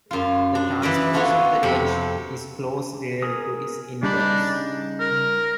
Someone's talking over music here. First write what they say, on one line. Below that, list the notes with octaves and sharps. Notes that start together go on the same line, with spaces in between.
The transpose of "H" is closely related to its inverse.
F#2 F4
D4
E3 B4 D5 D#5
B3 D4 F4 F#4 A4 C#5
F2 C3 B5
G#4 A#4 D#6
C#3 G3 D4 D#4 B5
A#4